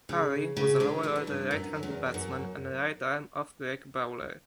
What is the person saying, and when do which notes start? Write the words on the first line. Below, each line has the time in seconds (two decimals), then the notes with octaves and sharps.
Parry was a lower-order right-handed batsman and a right-arm off-break bowler.
0.09 C#3
0.57 C#3
0.80 D2 D3
1.03 E2 E3
1.16 F#2
1.27 G2
1.51 F#2
1.83 E2
2.14 F#2